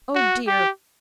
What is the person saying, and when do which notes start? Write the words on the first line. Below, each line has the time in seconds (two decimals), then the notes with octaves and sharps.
Oh dear!
0.15 F#4
0.47 G4